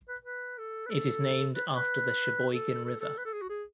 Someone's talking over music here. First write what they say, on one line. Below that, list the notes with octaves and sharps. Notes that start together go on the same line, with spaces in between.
It is named after the Sheboygan River.
B4
B4
A4
B4
A4
B4
B4
A4
A4
A4
B4
A4
G#4
F#4
G#4